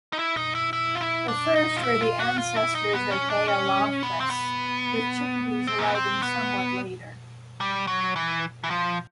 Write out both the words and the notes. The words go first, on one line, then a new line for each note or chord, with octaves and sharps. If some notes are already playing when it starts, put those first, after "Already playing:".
The first were the ancestors of "Baeolophus", with chickadees arriving somewhat later.
D#4
E4
D#4
E4
E4
F4
E4
D4
D#4
F4
E4
F4
F#4
F4
E4
D#4
B3
C#4
D4
C#4
B3
C4
B3
C4
A#3
B3
C4
B3
G3
F#3
E3
E3
F3